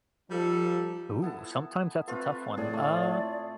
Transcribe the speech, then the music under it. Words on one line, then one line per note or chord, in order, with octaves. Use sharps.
Ooh, sometimes that's a tough one, uh,
F3 G3 D#4 A4
B3 E4 A4
A3 C4 F4 B4
A2 G#4 D5
A3